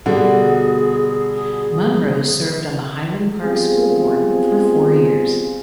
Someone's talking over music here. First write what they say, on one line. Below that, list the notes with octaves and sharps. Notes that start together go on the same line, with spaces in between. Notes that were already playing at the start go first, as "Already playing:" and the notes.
Munro served on the Highland Park School Board for four years.
B2 D3 G3 F#4 G#4
G3 B3 C4 F4 G#4